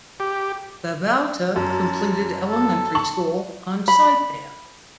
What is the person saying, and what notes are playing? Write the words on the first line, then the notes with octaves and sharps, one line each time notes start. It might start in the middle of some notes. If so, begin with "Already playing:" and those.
Babauta completed elementary school on Saipan.
G4
F#2 A5
A4
A5 C#6 F#7
B5